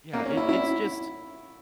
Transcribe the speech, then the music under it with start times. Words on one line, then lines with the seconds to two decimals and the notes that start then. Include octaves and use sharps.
Yeah, it it's just
0.13 A#3
0.25 C#4
0.37 E4
0.49 E4